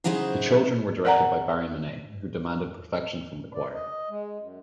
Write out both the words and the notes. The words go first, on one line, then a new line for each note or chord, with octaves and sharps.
The children were directed by Barry Mineah, who demanded perfection from the choir.
C#3 F#3 D#4 E4 G#4 C5
A#4 D5 F#5 G#5 A#5
D5
D#5
G#3
F#2